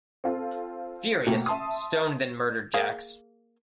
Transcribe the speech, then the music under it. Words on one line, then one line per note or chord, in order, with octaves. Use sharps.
Furious, Stone then murdered Jax.
C4 F4 A4
B2 A3 A#3 G5
E5 A5 C6 D#6
A#3 G#4 F5